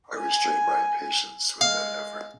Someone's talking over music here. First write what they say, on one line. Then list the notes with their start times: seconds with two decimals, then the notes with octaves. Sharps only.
I restrained my impatience with an effort.
0.19 G#5
1.61 G#3 F5